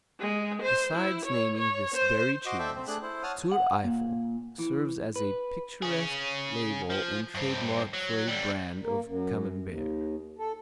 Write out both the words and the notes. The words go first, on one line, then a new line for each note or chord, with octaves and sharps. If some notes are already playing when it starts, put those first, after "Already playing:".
Besides naming this Berry cheese, Tour Eiffel serves as a picturesque label and trademark for a brand of Camembert.
G#3
C5
E4
C#5
C#5
C5
F#4 D#5 C6 D6
A4 C5 D5 E5 G5
C4
A3 D4 G#4 F#6
E4 C5
C#5 F#5 A5 D#6 F6
F#5
A#2
E3
B4
C#4 G#4
F3
G2 C4
F#3
D3 G3
A#3
F#2
D#2
A4